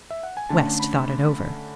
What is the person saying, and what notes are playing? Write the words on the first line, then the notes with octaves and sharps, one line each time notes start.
West thought it over.
E5
F#5
G#5
D3 A3 C#4 A5
B5
B5